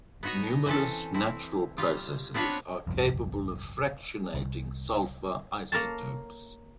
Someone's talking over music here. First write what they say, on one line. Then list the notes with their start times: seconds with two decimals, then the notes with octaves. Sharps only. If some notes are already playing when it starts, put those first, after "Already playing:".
Numerous natural processes are capable of fractionating sulfur isotopes.
0.23 B3 D#4 F#4 C#5 D#5
0.66 E3 C4 C#4 E4 A4
1.14 C4 E4
1.78 G3 F4
2.34 B3 C4 D4 F4 B4 C#5
2.87 G1 C2 F2
4.34 C2
5.72 A#3 A#4 C#5 A5